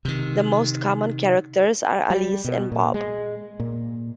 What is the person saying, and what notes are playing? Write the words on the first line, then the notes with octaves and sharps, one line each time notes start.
The most common characters are Alice and Bob.
C3 D#3
G3
B2
A#2
G#3
A#2